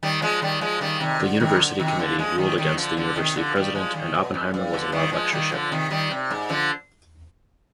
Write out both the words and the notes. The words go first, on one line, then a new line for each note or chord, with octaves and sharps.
The university committee ruled against the university president and Oppenheimer was allowed lectureship.
D#3 G3
F3 G#3
D#3 G3
F3 G#3
D#3 G3
C3 D#3
D3
C3 D#3
D3
C3 D#3
D3 F3
F3 G#3
D#3 G3
D#3 G3
D3 F3
D3 F3
C3 D#3
D3 F3
D#3 G3
F3 G#3
D#3 G3
B2
F2
G2
D3 F3
D#3 G3
F3 G#3
D#3 G3
D3 F3
C3 D#3
D#3 G3
C3
G#2
D3 F3